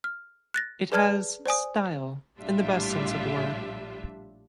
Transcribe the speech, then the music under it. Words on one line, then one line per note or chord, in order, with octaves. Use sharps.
It has style in the best sense of the word.
F6
F#6 A6 A#6
G#4 B4 D5 A5 F6 G#6
C5 D5 G#5 D#6
A#1 A2 G3 D4 F4 E5